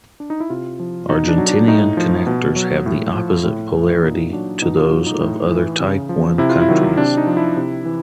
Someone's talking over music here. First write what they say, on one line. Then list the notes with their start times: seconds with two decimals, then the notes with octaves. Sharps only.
Argentinean connectors have the opposite polarity to those of other Type One countries.
0.20 D4
0.30 D#4
0.40 E4
0.50 C3 F4
0.79 F3
1.09 B2 D#4
1.28 D4
1.38 F#3
1.48 D4
1.68 A2 D#4
1.97 F3
2.27 B2
2.56 F#3
2.86 A2
3.15 F3
3.44 A2
3.74 E3
4.03 A#2 D#4
4.33 F#3 D4
4.62 B2 D#4
4.77 F4
4.91 F#3
5.06 D#4
5.21 A2 D#4
5.50 E3
5.80 C#3
6.09 F3
6.38 C3 E4
6.50 F4
6.62 E4
6.69 D#3 F#3
6.97 C3 D4
7.17 D#4
7.27 F3
7.37 E4
7.57 C3
7.85 E3